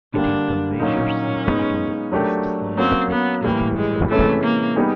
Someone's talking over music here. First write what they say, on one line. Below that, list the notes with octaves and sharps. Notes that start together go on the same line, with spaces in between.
It is the major seaport on the east side of the Isthmus of Kra.
D3 G3 A#3 D4
A#2 F#3 A#3 C#4 D#4
G#3 B3 D#4
F#3 A3 D4 G4 A#4
F#3 A#3 C4 C#4 F#4
B3
A2 E3 G3 A#3
G#3
C3 E3 G#3 A3 C#4 E4
A#3
G3 B3 D#4 G#4